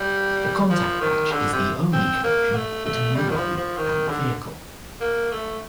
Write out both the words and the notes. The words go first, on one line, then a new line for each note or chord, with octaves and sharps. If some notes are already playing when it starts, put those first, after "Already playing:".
The contact patch is the only connection between the road and the vehicle.
Already playing: G3
F3
D#3
D3
C3
C4
A#3
A3
A3
G3
D#3
F3
F3
D#3
D3
A#3
A3